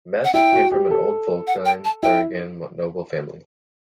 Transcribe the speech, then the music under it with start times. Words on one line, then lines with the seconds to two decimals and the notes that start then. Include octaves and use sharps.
Metzsch came from an old Vogtland-Thuringian noble family.
0.25 F#5
0.34 E4 G5
0.53 F#4
0.72 G4
0.91 A4
1.47 F#5
1.65 G5
1.85 A5
2.03 E4 G5